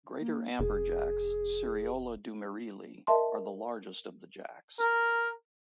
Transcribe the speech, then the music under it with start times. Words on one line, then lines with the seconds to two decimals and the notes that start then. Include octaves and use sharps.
Greater amberjacks, "Seriola dumerili", are the largest of the jacks.
0.20 A#3
0.59 F1 G#4
3.07 A#4 D#5 E5 A5 C6
4.80 A#4